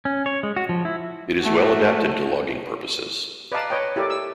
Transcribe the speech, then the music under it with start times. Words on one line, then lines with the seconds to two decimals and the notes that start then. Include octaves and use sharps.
It is well adapted to logging purposes.
0.05 C#4
0.26 C#5
0.43 G#3
0.56 F#4
0.69 F3
0.85 E4
1.40 A3 F#4
3.52 B4 D5 D#5 F5 A5 A#5
3.70 B4 C#5 D#5 G5
3.96 E4 G4 A4 A#4 D5
4.10 E6